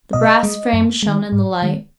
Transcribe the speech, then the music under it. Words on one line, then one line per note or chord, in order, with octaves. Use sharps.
The brass frame shone in the light.
B2 D#5
G#3
F#2
D#3 G#3
G#2
D#3 G#3